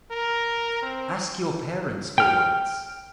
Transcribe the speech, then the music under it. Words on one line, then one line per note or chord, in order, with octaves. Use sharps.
Ask your parents for once!
A#4
C4
G5 F6